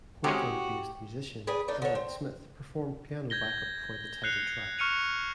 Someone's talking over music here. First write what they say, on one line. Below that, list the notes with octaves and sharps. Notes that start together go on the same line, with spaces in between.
Portland-based musician Elliott Smith performed piano backup for the title track.
C3 G#3 C#4 F#4 G4
G#4 B4 D5 G#5
A3 D4 D#4
D3 C#5
C4
G6 G#6 A#6 G7
F#6 G6 C7 C#7 F7
C#6 F6 C#7 D#7 F7